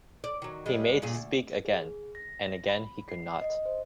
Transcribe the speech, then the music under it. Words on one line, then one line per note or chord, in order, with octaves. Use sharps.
He made to speak again, and again he could not.
D5
D#3 F#3
G2 G3 G#3
G2 A#2 G#4
D2
G#4
A#6
B5
C7
D#5
C5